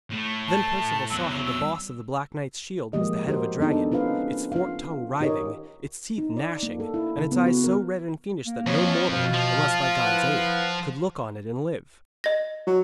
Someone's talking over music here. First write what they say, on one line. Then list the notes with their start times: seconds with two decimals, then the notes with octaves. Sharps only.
Then Perceval saw how the boss of the Black Knight's shield was the head of a dragon, its forked tongue writhing, its teeth gnashing, and its eyes so red and fiendish that no mortal, unless by God's aid, could look on it and live.
0.10 A2 A3
0.48 A5
1.10 E2 F#3 E6
1.45 E6
2.93 F3 G#3 A#3 G4 D#5
3.27 F#4 G4 A#4 C5
3.60 B3 D4 D#4 A4
3.92 C#4 F4 B4 C5 F5
4.52 F4 F5
5.21 D#4 G4 A#4 C#5 D#5
6.18 D#4
6.37 D5
6.63 A#3
6.80 A4
6.94 E4
7.18 C#3
7.32 B3
7.46 F#4
7.64 A#4
8.45 A#3
8.67 F2 F3 C#5
9.11 B2 F4
9.34 F3
10.03 E4 B4 F#5
12.24 D#5 A#6
12.67 F#3